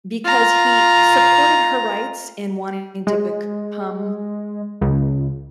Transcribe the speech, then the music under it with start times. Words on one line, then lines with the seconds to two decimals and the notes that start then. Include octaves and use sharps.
because he supported her rights in wanting to become
0.25 F4 A#5
3.07 G#3
4.81 C#2